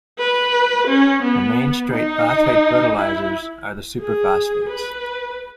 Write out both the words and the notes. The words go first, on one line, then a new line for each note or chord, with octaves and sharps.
The main straight phosphate fertilizers are the superphosphates.
B4
C#4
B3
D#4
E4
G#4
B4